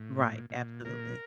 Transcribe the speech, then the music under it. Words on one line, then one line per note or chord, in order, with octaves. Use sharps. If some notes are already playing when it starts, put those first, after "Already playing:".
Right. Absolutely.
Already playing: A2
A#2
A#2
A#2 A#4